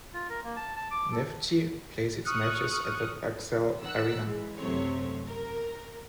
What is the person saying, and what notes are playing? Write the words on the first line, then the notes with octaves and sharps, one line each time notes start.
Neftchi plays its matches at the Bakcell Arena.
F4
A#4
A#3
A5
A5
D6
A4
C#6 D#6 F6 F#6 C#7
D#3 F#5 E6 F#6
E3 G#3
F#2 C3 F#3 A3 C4 C#5
A#4